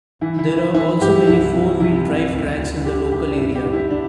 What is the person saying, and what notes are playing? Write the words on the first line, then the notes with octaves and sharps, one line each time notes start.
There are also many four wheel drive tracks in the local area.
E3 E4
E4
E3
E4
E3 E4
G2 G4
C2 E4
C2
C3 E4
C2
D2
D2
D2 G4
D2 G4
D4
G2 E4
G4
D3
E4
D3 D4